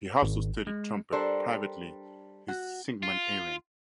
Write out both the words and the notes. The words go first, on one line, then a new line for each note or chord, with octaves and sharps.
He also studied trumpet privately his Sigmund Hering.
G#1
G#3
G3 D4 A4 A#4 C5
F#4
F4